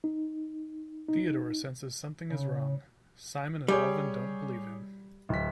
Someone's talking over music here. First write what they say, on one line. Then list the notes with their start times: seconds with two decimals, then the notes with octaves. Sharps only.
Theodore senses something is wrong; Simon and Alvin don't believe him.
0.04 D#4
1.09 D#4
2.30 C#3
3.68 G3 G4 G#4 C#5
5.29 D1 B6